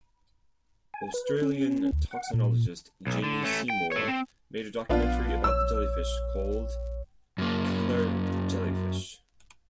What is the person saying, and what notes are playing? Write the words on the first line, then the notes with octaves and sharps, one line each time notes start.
Australian toxinologist Jamie Seymour made a documentary about the jellyfish called 'Killer Jellyfish'.
G#5
B4
C#4
D2
F#5
A#2
B1
D3
A3 C#4
G5
A4 C#5
C4
A#1 B3 D4 F4
A#1 C#5 E6
F#2 A#3